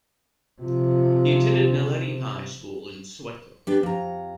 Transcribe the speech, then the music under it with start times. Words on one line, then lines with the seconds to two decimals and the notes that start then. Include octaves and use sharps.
He attended Naledi High School in Soweto.
0.61 C3 F3 F4
3.67 B3 D4 G4
3.83 F2 A#5